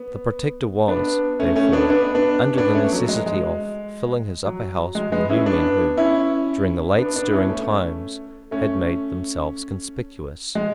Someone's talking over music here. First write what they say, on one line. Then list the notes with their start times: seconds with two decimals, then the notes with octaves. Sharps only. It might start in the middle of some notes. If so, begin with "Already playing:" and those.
The Protector was, therefore, under the necessity of filling his Upper House with new men who, during the late stirring times, had made themselves conspicuous.
Already playing: B3
0.88 B3 D4
1.40 A3 C#4
1.56 A3 C#4
1.72 B3 D4
1.90 B3 D4
2.15 B3 D4
2.54 C#4
2.58 B3 D4
2.74 A3 C#4
2.92 F#3
3.08 G#3
3.26 G#3
4.45 F#3
4.95 G#3
5.12 G#3 B3
5.29 C#4 E4
5.46 B3 D4
5.97 C#4 E4
6.98 B3 D4
7.16 B3 D4
7.33 C#4 E4
7.49 A3 C#4
8.51 A3 C#4
10.55 G#3